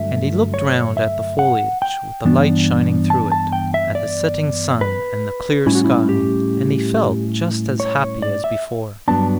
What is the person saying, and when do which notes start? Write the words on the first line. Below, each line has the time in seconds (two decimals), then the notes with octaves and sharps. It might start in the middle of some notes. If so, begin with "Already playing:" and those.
And he looked round at the foliage with the light shining through it, at the setting sun and the clear sky, and he felt just as happy as before.
Already playing: G2 D3 F#3 A3 E5
0.54 C#5
0.97 E5
1.39 F#5
1.82 G5
2.25 G2 E3 B3 D4
3.10 A5
3.32 A5
3.53 G5
3.74 E5
3.95 D5
4.81 B4
5.66 A2 G3 C#4 E4
5.75 F#4
5.84 E4
6.09 G4
7.80 C#5
8.22 D5
8.44 E5
9.08 G2 F#3 B3 D4 A5